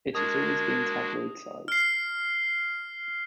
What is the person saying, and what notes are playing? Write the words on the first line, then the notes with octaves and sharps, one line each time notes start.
It has always been tabloid-size.
G#3 D4 F#4 A#4 D#6 G#6
F6 C7